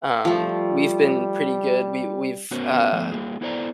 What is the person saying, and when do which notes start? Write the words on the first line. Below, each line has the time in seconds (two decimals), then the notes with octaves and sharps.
Um, we've been pretty good, we we've, uh,
0.25 F3 G3 A3
2.51 B3 C#4 F#4 A#4 C5
2.92 F3 A3 B3
3.12 G3 A#3 F4 G#4
3.41 B3 E4 A4 C5 D5 A#5